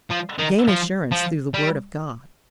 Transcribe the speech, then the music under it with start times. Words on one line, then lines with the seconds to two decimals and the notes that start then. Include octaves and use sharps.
Gain assurance through the Word of God.
0.10 F3
0.38 D#3
0.68 F3
1.12 F3
1.54 G3